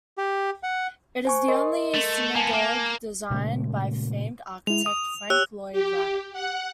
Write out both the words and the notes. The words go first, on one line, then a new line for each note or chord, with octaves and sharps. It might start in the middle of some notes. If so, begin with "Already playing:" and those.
It is the only synagogue designed by famed architect Frank Lloyd Wright.
G4
F#5
C5 G#5 C#6
A#4 D#5 C6
A3
A#3 B3 G#5 A5
A#3
A#2 C#3 G#3 A3
G#3 E4 F7
D#6
G4 C#5 E6 F#6
G4
F#5